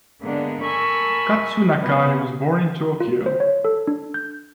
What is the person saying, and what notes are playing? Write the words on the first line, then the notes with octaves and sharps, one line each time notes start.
Katsu Nakai was born in Tokyo.
D3 G#3 A#3 B3 D4
A4 A#4 G#5 B5 C#6 E6
C3 B3
F4
C5
C#5
A4
D4
G6